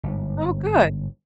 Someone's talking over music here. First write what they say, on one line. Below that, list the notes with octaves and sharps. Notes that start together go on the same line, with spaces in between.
Oh, good.
G1 G#2